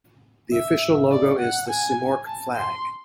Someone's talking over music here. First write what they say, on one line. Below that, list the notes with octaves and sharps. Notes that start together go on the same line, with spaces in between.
The official logo is the Simorq flag.
E5
D5
F#5
G#5
A5
C6